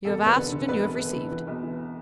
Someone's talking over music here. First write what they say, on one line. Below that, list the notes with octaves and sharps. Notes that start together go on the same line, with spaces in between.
You have asked, and you have received.
E1 A4
E1
B4
D3
D3
E1 B4
E1
E1
D3
E3
B1
E3